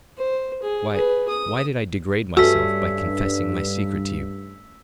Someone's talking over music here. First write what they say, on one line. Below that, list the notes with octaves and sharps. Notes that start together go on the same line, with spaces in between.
Why, why did I degrade myself by confessing my secret to you?
C5
G#4
G#4 B4
D#6
G2 A3 C#4 F#4 E6 B6